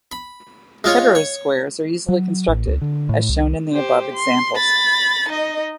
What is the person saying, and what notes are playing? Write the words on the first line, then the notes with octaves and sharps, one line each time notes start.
Heterosquares are easily constructed, as shown in the above examples.
B5
G#3 F4 C#5
C#5
F#3
A1
C#2
D3
A2
C2
G4 C5
C6
B5 A6
D#4 D#5